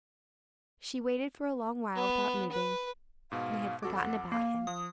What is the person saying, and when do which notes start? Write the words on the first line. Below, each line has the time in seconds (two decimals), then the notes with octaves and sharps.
She waited for a long while without moving, and had forgotten about him.
1.95 B3
2.51 B4
3.32 G#2 B2 F5
3.83 F2 F#4 A4 D6
3.95 F#5
4.32 A#3 F5
4.67 F3 D#6